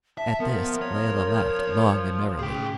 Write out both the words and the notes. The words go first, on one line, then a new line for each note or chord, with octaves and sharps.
At this Layelah laughed long and merrily.
E5 A5
F3 B3 A#4
C#5
A2 C#3 G#4 G5